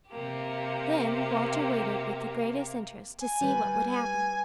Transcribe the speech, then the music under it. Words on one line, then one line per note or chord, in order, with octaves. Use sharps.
Then Walter waited with the greatest interest to see what would happen.
C3 A#3 G4
G#5
G3 B4
G#5